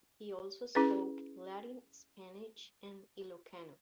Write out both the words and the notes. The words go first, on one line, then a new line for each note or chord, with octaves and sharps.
He also spoke Latin, Spanish, and Ilocano.
C#4 E4 G#4 B4